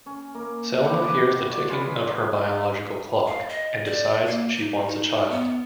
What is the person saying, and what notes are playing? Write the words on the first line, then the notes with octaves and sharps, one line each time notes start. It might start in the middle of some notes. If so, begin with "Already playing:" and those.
Selma hears the ticking of her biological clock, and decides she wants a child.
C#4
A#3
E4 F#5 G5 D6
D6
F#4 C#5 D5
F4 G#4 B4
F5
D#5
D5
A#3
D#4
D#4
B3